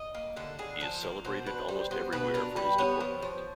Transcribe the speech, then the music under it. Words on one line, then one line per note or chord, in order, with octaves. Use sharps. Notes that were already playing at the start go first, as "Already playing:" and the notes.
He is celebrated almost everywhere for his deportment.
Already playing: D#5
A#3
D3 A4
D3 G#4
F3 A4
A#3 A#4
B2 C5
D4 B4
G3 C5
B3 C5
B2 B4
D4 A#4
G3 B4
B3 C#5
F3
F3